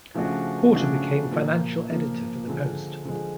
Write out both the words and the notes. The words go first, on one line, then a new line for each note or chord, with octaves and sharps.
Porter became financial editor for the "Post".
C#3 F3 A3 D4 F#4
C#3 F3 A3 D4 F#4
A#2 F3 A#3
A#2 F3 A#3
D3 F3 G#3
D3 F3 G#3